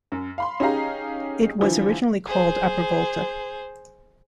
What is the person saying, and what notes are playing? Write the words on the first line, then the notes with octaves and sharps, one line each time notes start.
It was originally called Upper Volta.
F#2
F5 B5 C6
C#4 D#4 G4 G#4 F5 A#5
D3 E3 F3
G#4 C5